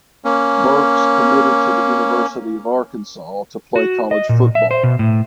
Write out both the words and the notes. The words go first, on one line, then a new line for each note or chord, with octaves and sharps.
Burks committed to the University of Arkansas to play college football.
A#3 C#4
F#4
D#5
A#2
E5
C5
B2
A2